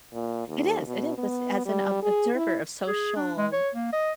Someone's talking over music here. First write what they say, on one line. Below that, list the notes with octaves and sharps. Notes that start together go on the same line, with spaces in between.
It is, it is, as as an ob observer of social
A#2
D#2
B2
B3
G3
G#4
E4
G#4
D4
G#3
C#5
A#3
D#5